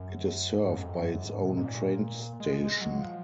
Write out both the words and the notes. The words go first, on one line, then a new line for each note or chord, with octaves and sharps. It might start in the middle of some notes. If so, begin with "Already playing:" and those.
It is served by its own train station.
Already playing: F#2
G#2
F#2
F2
F#2
G#2
C3
A#2
G#2
A#2
G#3
G#3
F#3
F3